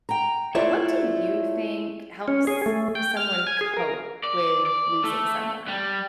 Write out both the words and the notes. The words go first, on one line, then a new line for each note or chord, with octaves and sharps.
what do you think helps someone cope with losing someone?
G5 A#5
A3 E4 F4 C#5 D5 E5
C#4
G#4
A3
G5
F6
G#5
G#4
A#4
D5
D5
A3
G3